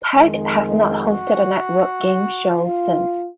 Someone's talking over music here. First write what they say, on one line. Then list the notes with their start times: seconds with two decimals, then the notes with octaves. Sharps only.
Peck has not hosted a network game show since.
0.17 F2 D#3 G#3
0.93 F#4
2.47 F4